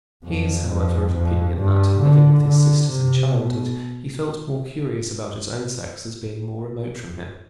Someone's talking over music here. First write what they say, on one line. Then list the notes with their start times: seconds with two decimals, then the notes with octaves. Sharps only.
He is, however, of opinion that, living with his sisters in childhood, he felt more curious about his own sex as being more remote from him.
0.24 F2
0.69 F2
1.13 F2
1.56 G2
2.01 D3
2.46 D3
2.90 C3
3.34 B2